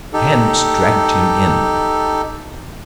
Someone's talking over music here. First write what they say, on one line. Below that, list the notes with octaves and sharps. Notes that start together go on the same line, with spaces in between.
Hands dragged him in.
D#4 G4 A4